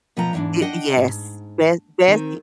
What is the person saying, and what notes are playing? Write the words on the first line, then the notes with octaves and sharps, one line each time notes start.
It, yes, Be Bessie
B2 F3 B4 F#5 G5 A#5
E2 G#2 E3 C4 D4
D4 D#5 F#5 G5
G#2
D#3 C4